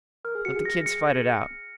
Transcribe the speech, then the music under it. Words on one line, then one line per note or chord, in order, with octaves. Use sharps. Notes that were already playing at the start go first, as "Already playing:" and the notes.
"Let the kids fight it out."
A#4 F6
G#4
F#4 C#7
G#4
A#6
C#7